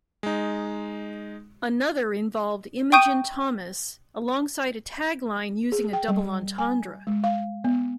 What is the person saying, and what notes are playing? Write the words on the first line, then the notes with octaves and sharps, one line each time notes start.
Another involved Imogen Thomas alongside a tagline using a double entendre.
G#3 D#4
G5 C#6 D#6 G6 D#7
G#4
G5
G3
G#5
G#3
F5
B3